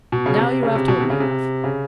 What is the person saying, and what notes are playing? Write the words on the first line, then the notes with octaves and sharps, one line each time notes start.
Now you have told me enough.
B2
C#3
C3
C#3
C3
B2
C3
C#3
C3
C#3